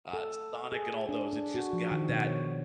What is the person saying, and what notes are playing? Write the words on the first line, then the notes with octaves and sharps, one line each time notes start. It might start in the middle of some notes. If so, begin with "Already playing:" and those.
uh, Sonic and all those, it's just got that
A4
G#4
D4
D4
F#4
F3
D#3
B2
C#5